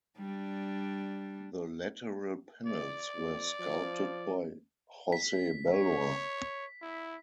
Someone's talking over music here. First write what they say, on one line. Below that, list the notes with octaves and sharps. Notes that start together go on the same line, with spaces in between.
The lateral panels were sculpted by Jose Bellver.
G3 D4
E2 D5
F2
F3
B6
C#5
E4